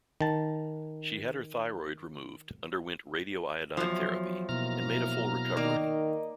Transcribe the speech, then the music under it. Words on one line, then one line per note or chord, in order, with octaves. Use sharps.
She had her thyroid removed, underwent radioiodine therapy, and made a full recovery.
D#3 A5
E2 F3 F#3
B2 F#3 A#3 E4 A#5 F6
D#3 A#3 A#4 D5 D#5